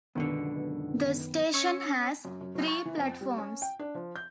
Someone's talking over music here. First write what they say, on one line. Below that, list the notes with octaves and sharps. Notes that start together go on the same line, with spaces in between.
The station has three platforms.
C#2 F#2 B2 D3 D#3 B3
C#4 C#5 E6 C#7
F#2
F#2
F#3
C#6
E3
F2
G3
C#4
G5
D4
F3
G6